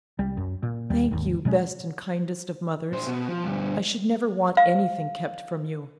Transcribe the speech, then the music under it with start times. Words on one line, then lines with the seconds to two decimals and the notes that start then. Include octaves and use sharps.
"Thank you, best and kindest of mothers; I should never want anything kept from you."
0.19 C2 G3
0.37 F#2
0.63 A#2
0.90 D#2 G3
1.11 G#1 D#2
1.45 B2 F#3 G#3 C#4
2.92 A#2 C5
3.07 B2
3.28 F3
3.44 D2 G2
4.57 F5